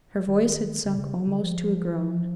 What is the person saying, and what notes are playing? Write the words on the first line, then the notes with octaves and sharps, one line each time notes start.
Her voice had sunk almost to a groan.
D#3
D3
C3
C#3
D3
F3